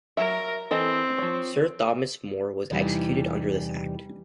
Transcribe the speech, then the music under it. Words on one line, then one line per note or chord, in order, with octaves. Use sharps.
Sir Thomas More was executed under this Act.
F#3 A#4 E5
E3 C4 A4 D#5
F3 C#5
E2 C3 E3 G3 D#4